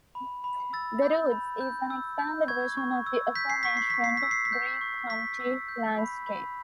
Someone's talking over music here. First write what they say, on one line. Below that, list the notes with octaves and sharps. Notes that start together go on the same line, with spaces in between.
"The roots" is an expanded version of the aforementioned Greek country landscape.
B5
B5
E6 A6
G6
B5
B5 G6
E6
G6
C#6 G#6
C#6
E6
G6 B6
C7
C#6 B6
C7
C#6 B6
C7
B6
E6
C7
B6
G6
C#6
C#6 B6
E6
G6
B5
B5